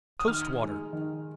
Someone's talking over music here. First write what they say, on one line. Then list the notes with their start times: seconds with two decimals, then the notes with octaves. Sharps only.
Toast Water.
0.19 D#6
0.27 D#3 F6
0.60 G#3 D#4
0.93 D#3